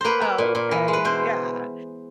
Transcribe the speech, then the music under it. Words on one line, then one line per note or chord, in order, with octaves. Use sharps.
Oh, okay. Yeah,
A#3 B4 C5
A#3
A#2
A#2
E3
G#3
B4
B2 C5